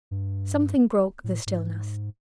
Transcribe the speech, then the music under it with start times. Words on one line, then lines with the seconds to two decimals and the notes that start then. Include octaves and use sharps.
Something broke the stillness.
0.11 G2
1.24 A2
1.47 G#2